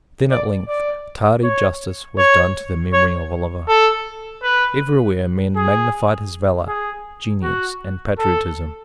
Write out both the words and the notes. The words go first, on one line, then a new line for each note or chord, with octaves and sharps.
Then, at length, tardy justice was done to the memory of Oliver. Everywhere men magnified his valour, genius, and patriotism.
D5
D5
C#5
C#5
C#5
A4
B4
G#4
G#4
F#4
A4